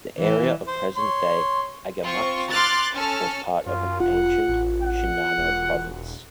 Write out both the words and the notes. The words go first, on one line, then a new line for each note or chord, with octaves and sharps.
The area of present-day Agematsu was part of ancient Shinano Province.
E3
C5
C#5 C6
C4 F4 C5 C#6
C6 D6 F6 F#6 A6
C#4 A4 F6
F#2 F4
F1 F4 F#5
A1
F#5
E1